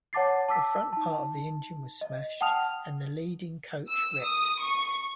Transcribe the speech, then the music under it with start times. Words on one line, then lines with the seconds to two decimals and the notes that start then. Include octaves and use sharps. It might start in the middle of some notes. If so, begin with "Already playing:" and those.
The front part of the engine was smashed and the leading coach wrecked.
0.13 C#5 F#5 A5 D6 A6 C7
0.48 A5 D6 E6 B6
0.93 D#4 A5
2.01 D#5
2.41 F#5 G5 A5 D#6 F6 F7
3.88 E6
4.22 D#6
4.59 C#6